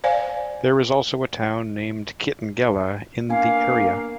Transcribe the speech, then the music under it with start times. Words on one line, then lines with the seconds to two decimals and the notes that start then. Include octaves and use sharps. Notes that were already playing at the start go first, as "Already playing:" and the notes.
There is also a town named Kitengela in the area.
0.04 C5 D5 F5 G#5
3.29 A#3 B3 D4 F5 G#5